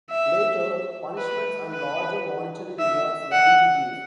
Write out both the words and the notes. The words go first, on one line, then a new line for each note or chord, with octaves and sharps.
Later, punishments and larger monetary rewards were introduced.
E5
B4
B4
E5
F#5